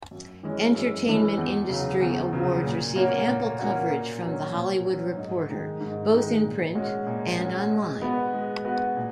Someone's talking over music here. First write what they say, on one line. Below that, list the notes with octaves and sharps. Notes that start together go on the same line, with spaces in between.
Entertainment-industry awards receive ample coverage from "The Hollywood Reporter", both in print and online.
F#2
E3 G#3 C#4
F#2
E3 G#3 C#4
E2
C#3 F#3
E2
C#3 F#3
A#2
A#3 C#4 F#4 C#5
A#2
A#3 C#4 F#4 C#5
A#2
F#3 C#4
A#2
F#3 C#4
G#2
D#3 G#3 D#4
G#2
D#3 G#3 D#4
A#2
G#3 C#4 F#4
A#2
G#3 C#4 F#4
G#3
B3 F#4 B4
G#3
B3 F#4 B4
A#2